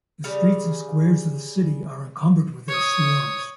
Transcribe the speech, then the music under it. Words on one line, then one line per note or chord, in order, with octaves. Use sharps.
The streets and squares of the city are encumbered with their swarms.
C#3 G3 G#4 F5
C#5 D#6